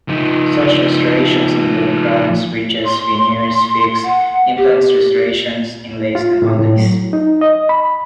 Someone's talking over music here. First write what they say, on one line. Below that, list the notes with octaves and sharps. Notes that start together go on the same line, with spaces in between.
Such Restorations include; crowns, bridges, veneers, fixed implant restorations, inlays and onlays.
F3 D#4
C6
F#5
G4
F4
A2
A2
F#3
D#4
D#5
B5